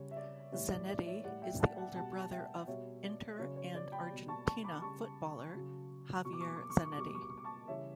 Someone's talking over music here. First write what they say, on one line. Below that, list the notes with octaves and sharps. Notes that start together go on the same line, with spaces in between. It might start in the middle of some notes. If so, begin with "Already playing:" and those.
Zanetti is the older brother of Inter and Argentina footballer Javier Zanetti.
Already playing: C#3 G3 C#5
E5
D5
A2 E3 G3 C#5 E5
D5
D5
C#5 E5
A2 G3 D5 F#5
E5 G5
F#5 A5
F#5 A5
B2 G3 F#5 A5
A5
E5 G5
B2 G3 C#5 E5
D5
C#3 F#3 C#5
C#5
D5
G5 B5
B2 G3
A5 C#6
A5 C#6
B5 D6
C#3 G3 A5 C#6
C#3 F#3
B2 F#3 C#6
D6
C#6
D6
C#6
D6
C#6
D6
C#6
D6
B2 G3 C#6
D6
C#6
D6
C#6
D6
A5 C#6
C#3 E3 G3 C#5 E5